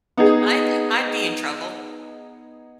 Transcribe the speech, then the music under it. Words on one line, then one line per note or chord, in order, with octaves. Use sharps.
I'd I'd be in trouble.
B3 D#4 G#4